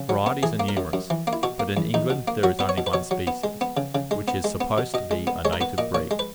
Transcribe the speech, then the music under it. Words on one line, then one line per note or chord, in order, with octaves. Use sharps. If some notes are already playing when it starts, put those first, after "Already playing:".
Its varieties are numerous; but in England there is only one species, which is supposed to be a native breed.
Already playing: C#3
F#3
B3
E3 G#4
A#3
A#4
F#2
F#2
E3
A#3
E4
B2 F#4
A#3
E2
E2 D#4
B2
A#3
F#3 F#4
B3 B4
C#5
B2
B4
B2 C#5
F#3
B3
G#3
B3
C#3
C#3
G#3
B3
G#3
B3
B2
B2 D#5
G#3
B3
G#3 C#5
A#4
B3 B4
A#2 D#5
A#2 C#5
G#3
B4